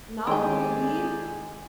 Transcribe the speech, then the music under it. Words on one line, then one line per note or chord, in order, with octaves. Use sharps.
Now do you believe?
D3 D#3 G#3 E4 G4 G#4 G5